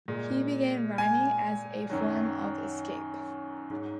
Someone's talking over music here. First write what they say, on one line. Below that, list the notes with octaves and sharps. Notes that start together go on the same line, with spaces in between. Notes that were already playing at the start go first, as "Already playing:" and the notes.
He began rhyming as a form of escape.
A#2 G#3
G#5
F#2 D#3 F#3
G#2 F#3